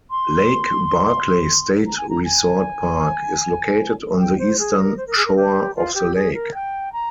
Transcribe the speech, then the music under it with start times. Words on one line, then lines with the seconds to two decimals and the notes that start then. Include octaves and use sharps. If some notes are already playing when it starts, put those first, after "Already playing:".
Lake Barkley State Resort Park is located on the eastern shore of the lake.
0.10 C6
1.86 A#5
1.97 G#5
2.09 A#5
2.24 G#5
4.16 G#5
4.19 G5
4.38 C5
4.59 G#4
4.78 A#4
4.97 C5
5.07 A#4
5.16 G#4
5.25 A#4
5.36 G4
5.76 F4
5.94 G4
6.15 G#4
6.33 A#4
6.54 G5
6.92 A#5